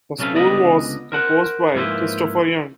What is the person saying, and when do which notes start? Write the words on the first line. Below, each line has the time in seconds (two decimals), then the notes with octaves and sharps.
The score was composed by Christopher Young.
0.18 C3 F#3 C#4 A4 B4 F5
0.34 C#2 D3 B3 D5 D#5 B5
1.12 A#4 C5 F#5
1.74 G#2 F3 A#3 E4 B4 C5